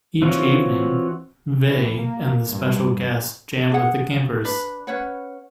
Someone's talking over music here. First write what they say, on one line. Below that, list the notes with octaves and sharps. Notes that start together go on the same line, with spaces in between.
Each evening, Vai and the special guests jam with the campers.
E3 C4 F4 F#4 C#5
E3
A#3
G2
D4 G#4 F#5
D4 B4
C#4 B4 C#5 F#5